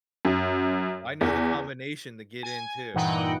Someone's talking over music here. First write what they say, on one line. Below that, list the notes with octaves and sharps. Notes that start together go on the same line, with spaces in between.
I know the combination to get in too.
F#2
E2
G#5
G2 A#2 E3 D#4 F#5 G5